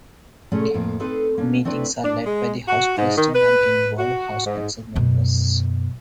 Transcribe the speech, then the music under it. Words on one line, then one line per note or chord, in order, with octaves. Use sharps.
Meetings are led by the House President and involve House Council members.
A#2 C#3 A3 C#4 F4 G#4
F2 A2 A#3 F5
C4 D#4 A4 B4 C5
A#3 C#4 D4
A3 C4 D4 E4 B4
D4
G#3
F#4
G#2
D#3
B4
F#4
G#2
F#2 B2